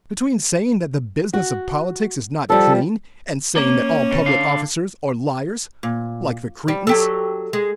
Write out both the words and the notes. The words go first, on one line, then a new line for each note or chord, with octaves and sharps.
"Between saying that the business of politics is not clean, and saying that all public officers are liars, like the Cretans."
F#4
F3 G3 A4
A#3 C#4
B2
D3 F5
A#2
G3
F#3 G4 A4
G#3